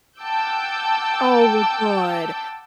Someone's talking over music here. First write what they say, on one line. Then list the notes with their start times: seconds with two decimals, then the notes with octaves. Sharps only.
Oh, good,
0.20 F#5 G5 A5 D6 E6 G6